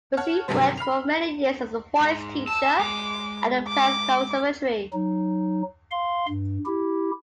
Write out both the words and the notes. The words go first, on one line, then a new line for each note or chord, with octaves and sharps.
Bussine worked for many years as a voice teacher at the Paris Conservatory.
C#5 F#5 A5 F6
G#1 G2 C3 F#3 G3 C5
B5 F6 C7 F7
G#2
A5 E6
G#3 D6
D6
F#3 D#4
F5 C6
G2
E4 G4